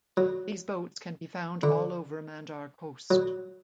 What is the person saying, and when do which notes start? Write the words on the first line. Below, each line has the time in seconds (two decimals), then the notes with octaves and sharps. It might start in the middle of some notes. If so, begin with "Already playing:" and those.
These boats can be found all over Mandar coast.
0.17 F#3
1.63 D3
3.11 F#3